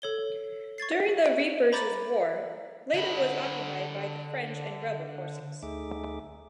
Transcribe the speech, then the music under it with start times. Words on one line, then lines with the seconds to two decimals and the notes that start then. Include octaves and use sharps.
During the Reapers' War, Lleida was occupied by the French and rebel forces.
0.02 A4 C#5 G7
0.78 C#6 G#6 A6 C7
1.72 A#5 B5 D6 G6 A6
2.94 D3 B5
5.63 D2 A3 D#4 G#4 E5 D6